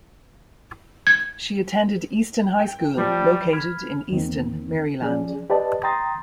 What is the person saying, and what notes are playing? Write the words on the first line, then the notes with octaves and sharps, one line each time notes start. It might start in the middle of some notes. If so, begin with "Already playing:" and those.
She attended Easton High School, located in Easton, Maryland.
G#6
G5
F3 G3
B5 F6 G#6
E2 D#3 A#3 C4
F3 C#4 G#4 D5
G4 B4 D5 D#5 A5
G5 A#5 C6 D#6 A6